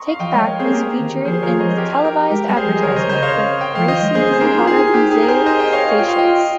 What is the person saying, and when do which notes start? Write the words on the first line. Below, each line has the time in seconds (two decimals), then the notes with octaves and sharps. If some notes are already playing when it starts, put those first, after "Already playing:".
"Take Back" was featured in the televised advertisement for Kracie's Hada-bisei facials.
Already playing: A#5 C6 C#6 D#6
0.09 F5
0.19 F3 D#5 G5
0.33 G#3 C#5 F5
0.47 A#4 C#5
0.59 C4 G#4 C5
0.72 A#3 G4 A#4
0.99 D#3
1.21 C#5
1.25 F3 G#4 C5
1.42 A#4 C#5
1.60 C5 D#5
1.77 G4 A#4
2.04 G4 A#4
2.30 G#3 G4 A#4
2.48 G3
2.52 A#4
2.57 G#4 C5
2.65 F3
2.76 D#5
2.83 D#3 A#4 C#5
2.92 C#3 C5 D#5
3.09 C#3 C5 D#5
3.23 C#5 F5
3.61 G5
3.75 F3 F5
3.88 D#3 C5 D#5
4.02 G#3
4.15 A#3 G#4 C5
4.28 C#4
4.33 C5
4.41 D#4 G4 A#4
4.58 F4
4.67 G#4
4.76 D#4
4.88 F4
4.94 D#4 G4
5.11 G#4
5.22 A#4
5.28 G#4 C5
5.46 C5 D#5
5.59 D#5 G5
5.72 C#5 F5
5.99 F4 G5
6.09 F5
6.18 D#5 G5